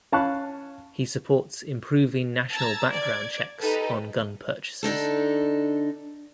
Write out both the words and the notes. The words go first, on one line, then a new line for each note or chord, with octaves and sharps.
He supports improving national background checks on gun purchases.
C#4 F5 A5 B5 C#6 F#6
A5 A#5 E6 G#6 A6
D5 G#6
D#4 G4 A4 B4
D3 D4 D#4 A4